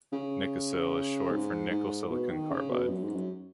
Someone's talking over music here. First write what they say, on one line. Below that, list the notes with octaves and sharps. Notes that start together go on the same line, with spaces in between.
Nikasil is short for Nickel Silicon Carbide.
C#3
G#2
G#2
B2
D#3
C#3
B2
F#2
G#2
F#2